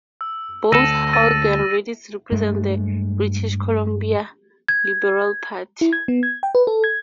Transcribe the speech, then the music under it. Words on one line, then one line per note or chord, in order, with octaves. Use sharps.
Both Hogg and Redies represent the British Columbia Liberal Party.
E6
D2 A4 E6 A#6 D#7
E6 A6 D#7
G2 G#3 A3
G#6
E4
G#6
B3
G#6
G5
B4
A4
G#6